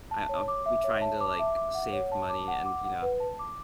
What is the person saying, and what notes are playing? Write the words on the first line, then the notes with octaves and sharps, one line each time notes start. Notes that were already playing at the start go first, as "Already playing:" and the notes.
I I'll be trying to, like, save money and, you know,
A5
C#5
D6
E5
C#5
A5
D6
E5
D6
F#5
C#5
A5
D6
F#5
D6
F#5
B4
A5
D6